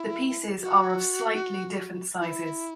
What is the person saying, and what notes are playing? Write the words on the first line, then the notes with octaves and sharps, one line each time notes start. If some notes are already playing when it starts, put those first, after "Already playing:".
The pieces are of slightly different sizes.
Already playing: E4
F#4
E4